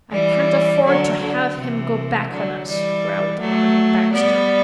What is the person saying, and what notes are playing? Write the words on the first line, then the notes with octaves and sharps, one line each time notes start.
"I can't afford to have him go back on us," growled Arnold Baxter.
E3 G3
D3 F#3
D3
C3 E3
D3 F#3
E3 G3
F#3 A3
G3 B3